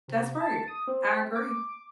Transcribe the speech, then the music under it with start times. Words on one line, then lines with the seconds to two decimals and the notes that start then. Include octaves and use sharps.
That's right. I agree.
0.08 C3
0.40 A5
0.68 D#6
0.87 C4
1.35 D6